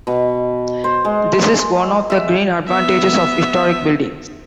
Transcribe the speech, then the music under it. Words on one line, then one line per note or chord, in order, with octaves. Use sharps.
This is one of the "green" advantages of historic buildings.
B2
C5
G#3
E5
B3 E5